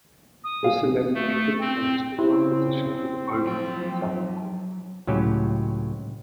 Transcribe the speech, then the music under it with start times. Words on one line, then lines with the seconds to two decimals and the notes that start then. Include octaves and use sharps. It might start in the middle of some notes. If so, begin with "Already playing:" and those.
This eliminated almost all opposition to the Romans in southern Gaul.
0.44 D#6
0.63 G#4 F5
1.14 A3
1.60 C4
2.19 C#3 C4 E4
3.46 F3 F#3 G5
5.07 C#2 A2 F#3 C#4 G4